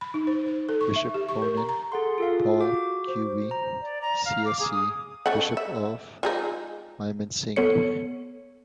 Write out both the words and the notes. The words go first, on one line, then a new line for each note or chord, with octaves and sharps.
Bishop Ponen Paul Kubi, csc, Bishop of Mymensingh.
B5
D#4
C5
C5
A4
C#6
E5
G4
C#6
A#4
A#5
A#5
G#4 A4 F#5 C6
F4 G#4 A4 F5
F#4 D6
C5
A#5
D5
A#5
F5
D6
G#4
D#6
C#3 A3 F#5
E5
F3 G#3 D#4
B3 A4 C#5 C#7